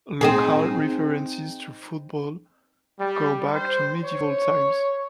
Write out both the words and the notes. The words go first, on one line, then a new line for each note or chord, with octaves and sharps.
Local references to football go back to medieval times.
C4 D#4 G#4
G3
C5
C#5